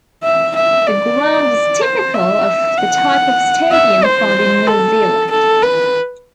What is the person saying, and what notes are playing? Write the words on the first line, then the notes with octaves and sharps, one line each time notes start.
The ground is typical of the type of stadium found in New Zealand.
E5
E5
D5
C5
E5
F#5
E5
C5
A4
A4
B4